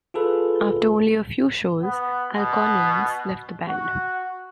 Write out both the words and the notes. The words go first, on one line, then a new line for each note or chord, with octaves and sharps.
After only a few shows, Al Collins left the band.
F4 G#4 A4 B4
B3
B2
F#4